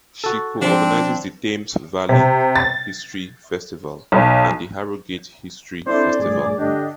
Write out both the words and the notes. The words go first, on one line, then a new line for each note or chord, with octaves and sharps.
She co-organises the Thames Valley History Festival and the Harrogate History Festival.
F#4 A4
F3 C4 D4
C3
A6
B1
C4 D4 E4 A4 C5 D5 D6
A#1 G2 A3 G#4
D3 D4 G4 D#5